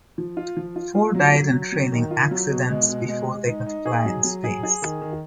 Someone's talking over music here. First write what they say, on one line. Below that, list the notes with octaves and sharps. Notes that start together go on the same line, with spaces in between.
Four died in training accidents before they could fly in space.
F3
F4
F3
F4
F4
F#3
F#3
F#3
F#3
D#3
F4
F#3
B2
G#3
B2
G#3
G#3
D#4
D#4
G#4
F#3
F#3
G#4
G#4
D#3
D#3